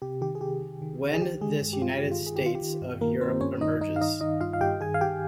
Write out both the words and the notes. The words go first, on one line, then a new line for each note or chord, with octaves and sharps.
When this United States of Europe emerges...
C3 G4
D#3 G4
G#4
C3 G4
D#3
D#3
D#3
G#4
D#3 G4
D#3 G#3 G#4
G2
G4
G2 F4
D#3 G4
F4
D#3
G#4
G4
D#3 F4
G4
D#3
G2
D#3 A#3 A#4
D#3 C4 C5
G2 C#4 C#5
D#3 D#4 D#5
G2 D#4 D#5
F5
D#3 D#4 D#5
D#3 D#4 D#5
G2 F4 F5
F5
G2 G4 G5
D#3 G#4 G#5
F5
D#3 G4 G5